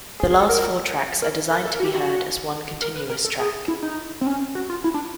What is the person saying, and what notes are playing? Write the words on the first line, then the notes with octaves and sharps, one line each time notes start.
The last four tracks are designed to be heard as one continuous track.
G#4
G#4
A4
A#4
A#4
A#4
A4
A#4
F#4
G4
F#4
A#4
B4
A#4
A4
G#4
E4
D#4
C4
C#4
F#4
F4
E4
D4